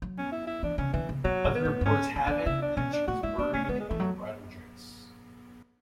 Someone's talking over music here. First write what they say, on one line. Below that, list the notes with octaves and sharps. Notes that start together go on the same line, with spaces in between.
Other reports have it that she was buried in a bridal dress.
F#3
C#4
E4
E4
E3 D4
C#3 C#4
D3 E3
C#3
B2 F#3
A2
B3
A2
F#2
G#2 C#4
E3
E3 D4
D3
C#3 E4
D4
B2 C#4
D4
A2 F#4
G#3 E4
B3 D4
A3 C#4
C#4
G#3 B3
G#3
E3 A3
F#3